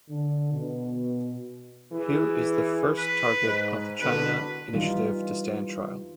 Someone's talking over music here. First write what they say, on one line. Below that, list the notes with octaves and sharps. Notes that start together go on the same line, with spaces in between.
Hu is the first target of the China Initiative to stand trial.
D3
B2
E3 G#4
B4
G#2
C2 B2 D3 B4
E3 G3 D#4 F4